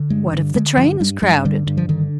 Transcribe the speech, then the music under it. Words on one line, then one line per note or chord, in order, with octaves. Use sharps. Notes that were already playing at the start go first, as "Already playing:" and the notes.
What if the train is crowded?
Already playing: D3
G2 G#3
D3
D3 G#3
G2 F3
G2 G3
G2 G3
D3 G3
G2
F3
D3 D#3